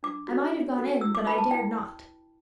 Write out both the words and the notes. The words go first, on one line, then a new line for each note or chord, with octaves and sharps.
I might have gone in, but I dared not.
D4 D6
F#4 A4
D4
F#4 A4
E4 E6
D6
B4 B5
A5
E4 G5